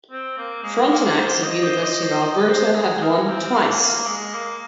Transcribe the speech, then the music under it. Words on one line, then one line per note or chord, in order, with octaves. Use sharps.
Frontenacs of University of Alberta have won twice.
C4
A#3
G#3
A#3
C5
D#5
C5
D#5
C5
D#5
C5
G#4
A#4
C4
A#3
A#3
G#3
A#3